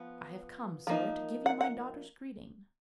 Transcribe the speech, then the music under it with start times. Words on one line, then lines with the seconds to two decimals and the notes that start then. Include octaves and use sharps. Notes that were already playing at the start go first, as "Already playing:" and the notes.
'I have come, sir, to give you my daughter's greeting.
Already playing: F3 B3
0.87 F3 A#3 D#4
1.46 F#5
1.61 F#5